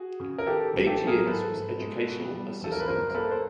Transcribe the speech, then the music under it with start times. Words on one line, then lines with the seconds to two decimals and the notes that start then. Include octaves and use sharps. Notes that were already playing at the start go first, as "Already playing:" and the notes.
Eight years was educational assistant.
Already playing: F#4 G#4
0.20 C#3
0.38 A#4
0.46 D#3 G4 A4
0.73 A1
0.87 G4 A4
1.00 F#3
1.07 G#4 A#4
1.27 G#2 A4 B4
1.54 G#2
1.80 G#3
2.08 B2
2.34 G3
2.61 E2 A4
2.72 A#4
2.80 B4
2.88 G2 A#4 C5
3.10 A#4
3.14 A#3 A4 B4
3.31 C5